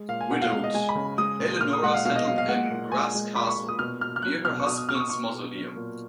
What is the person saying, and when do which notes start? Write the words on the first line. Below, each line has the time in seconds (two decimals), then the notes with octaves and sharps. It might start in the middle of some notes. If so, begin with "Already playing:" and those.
Widowed, Eleonora settled in Graz Castle, near her husband's mausoleum.
Already playing: G#3
0.08 A#2 F5
0.21 G#5
0.30 B2 F#5
0.42 F5
0.52 G#3 F5
0.64 D#5
0.74 G#3 G#5
0.89 B5
0.95 C#3
1.18 G#3 D#6
1.39 A#2
1.61 A#2 F6
1.73 D#6
1.83 G#3 F#5
1.94 F5
2.05 B2 F5
2.15 D#5
2.27 F#3 F5
2.38 F5
2.48 G#3 F#5
2.70 A#2
2.92 G#3 G#5
3.15 G#3
3.36 A#2 B5
3.47 C#6
3.57 A#2
3.68 D#6
3.79 B2 F6
4.01 B2 F6
4.16 F6
4.22 F#3 F#6
4.45 B2 F6
4.60 C#6
4.66 B2 D#6
4.78 D#6
4.89 B2 F6
4.95 C#6
5.00 D#6
5.10 B2 C#6
5.32 B2
5.54 F#3
5.76 A#2